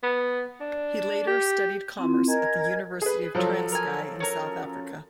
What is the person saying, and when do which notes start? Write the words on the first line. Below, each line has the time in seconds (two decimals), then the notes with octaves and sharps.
He later studied commerce at the University of Transkei in South Africa.
0.03 B3
0.61 D4
1.27 G4
1.98 C4 E4 F4
2.28 A#4 D#5 G#5 A#5 G#6
3.02 G#4 B4
3.35 F3 F#3 A4
3.72 A#4 G#5
4.20 C#4 A#4